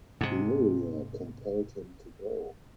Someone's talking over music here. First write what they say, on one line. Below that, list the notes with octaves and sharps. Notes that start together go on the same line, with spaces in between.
Gloria compelled him to go.
G#2 C3